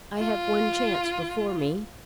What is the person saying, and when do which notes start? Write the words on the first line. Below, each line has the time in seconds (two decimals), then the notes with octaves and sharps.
I have one chance before me.
0.18 F4